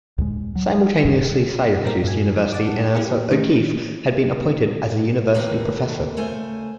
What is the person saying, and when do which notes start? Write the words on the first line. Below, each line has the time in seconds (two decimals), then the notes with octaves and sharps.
Simultaneously Syracuse University announced that O'Keefe had been appointed as a University Professor.
0.18 D2 A2 G#3
0.56 F#3
1.05 D1 G2 B2 D3
1.84 A#2 G3 C4 A#4 B6
2.04 G2 G#5
2.36 F3
2.53 F#5 A5 D6
2.94 A#3 C#4 E4 G4 G#4 A#4
3.31 D#3 A3 C#4 D#4
5.35 D#2 A#2 A3 A#3 B4
6.17 C#3 A3 C5 G#5